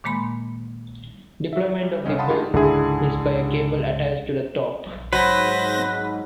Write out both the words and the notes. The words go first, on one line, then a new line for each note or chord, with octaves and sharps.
Deployment of the bell is by a cable attached to the top.
A#2 D#3 G#3 A#3 B5 C6
F#4 E5
F#3
G3
G1 C2 C#4 D#5
F5 F#5 A5 B5 C6 D#6
G#2 A3 D4 F4 G4 G#4
C#2 G#2 D3 E4 G#4
G#2 F#3 B4 C5 A#6